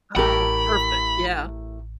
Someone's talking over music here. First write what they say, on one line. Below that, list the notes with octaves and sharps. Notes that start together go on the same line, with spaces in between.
Oh, perfect. Yeah.
A1 A2 G4 A#4 B5